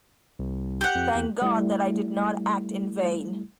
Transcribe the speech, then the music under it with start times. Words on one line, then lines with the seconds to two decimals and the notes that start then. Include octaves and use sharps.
Thank God that I did not act in vain!
0.39 C2
0.81 G4 F#5
0.95 F2
1.15 E2
1.42 G3 A3 E4